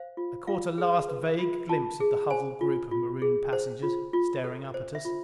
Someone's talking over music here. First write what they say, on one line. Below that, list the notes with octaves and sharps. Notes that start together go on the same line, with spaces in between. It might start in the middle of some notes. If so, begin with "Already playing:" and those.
I caught a last vague glimpse of the huddled group of marooned passengers, staring up at us.
Already playing: C5 F5
F4
F4 F5
G#4
B4
F4
F4 A5
G#4
C5 G#5
F4
F4
G#4
C5
F4
F4
A4
C5
E5
F4